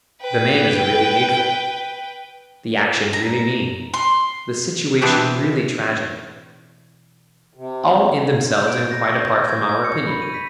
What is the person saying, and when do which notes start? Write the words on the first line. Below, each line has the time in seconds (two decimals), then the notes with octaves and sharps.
The man is really hateful; the action really mean; the situation really tragic--all in themselves and quite apart from our opinion.
0.21 B4 G5
3.13 A#5
3.94 C6
5.01 B2 E3 B3 C4 D4 E4
7.54 C3
8.54 G6
8.68 D7
8.91 A#6
9.07 C#6
9.19 G6
9.48 G#6
9.69 G#6
9.84 C#7
10.07 B5
10.22 D#7
10.34 B6